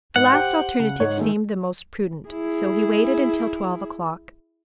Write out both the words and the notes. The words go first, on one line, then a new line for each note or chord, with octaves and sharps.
The last alternative seemed the most prudent, so he waited until twelve o'clock.
G#2 F#5
G4 C5 G5
C#3
G#2 C#5
D#3 G#3 A3
E4 G#4